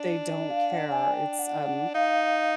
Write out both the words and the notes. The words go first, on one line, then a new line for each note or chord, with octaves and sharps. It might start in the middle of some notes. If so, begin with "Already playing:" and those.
they don't care. It's, um
Already playing: D4
F5
F#5
G#5
G5
F#5
F#5
D#4 F5